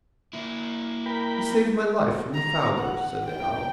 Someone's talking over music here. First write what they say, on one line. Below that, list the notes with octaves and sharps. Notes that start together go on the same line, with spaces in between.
"You saved my life from the fowlers," said the owl.
A#3 E4
A#4 G5 B5
A#5
F#5
G5